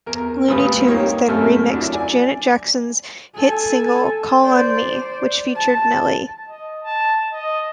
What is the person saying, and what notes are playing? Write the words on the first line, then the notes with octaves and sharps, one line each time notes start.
Luny Tunes then remixed Janet Jackson's hit single "Call on Me", which featured Nelly.
E2 A#4
D2 F3 G3 F4 B4 D#6
A#3 D#4 G4 C#5
F#2 A2 C3 A3 A#4 F6
F#3 D4 E4
D5 G#5
A4 G#5
C5 D5
A5
D#5
A5
D#5